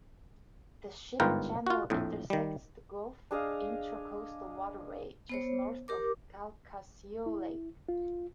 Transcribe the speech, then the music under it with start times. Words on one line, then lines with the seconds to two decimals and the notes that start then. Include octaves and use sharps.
The ship channel intersects the Gulf Intracoastal Waterway just north of Calcasieu Lake.
1.20 G1 G#2 F4 A#4 B4 G5
1.67 F4 F#4
1.90 A#1 F2 A2
2.30 D#3 G3
3.31 D4 G#4 D#5 F5
5.29 B3 C5 C#5
5.88 G4 A#4 D6
7.26 E4
7.89 F4